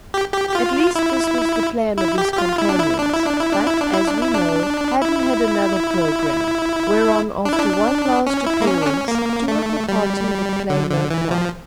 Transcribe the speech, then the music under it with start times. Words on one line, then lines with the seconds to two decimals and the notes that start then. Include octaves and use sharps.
At least this was the plan of his companions; but, as we know, Hadden had another programme, whereon after one last appearance two of the party would play no part.
0.14 G4
0.34 G4
0.49 G4
0.55 F4
0.95 E4
1.97 E4
2.18 G4
2.33 G4
2.38 F4
2.58 E4
2.69 D4
2.80 E4
2.99 D4
3.13 E4
3.26 D4
3.39 E4
3.53 D4
3.67 E4
3.80 D4
3.94 E4
4.07 D4
4.21 E4
4.35 D4
5.02 E4
7.45 D4
7.53 E4
7.59 D4
8.27 C#4
8.46 E4
8.62 A#3
8.67 C#4
8.82 D4
8.87 C#4
9.08 A#3
9.48 A3
9.89 G3
10.70 D3
10.90 D3
11.11 E3
11.31 F3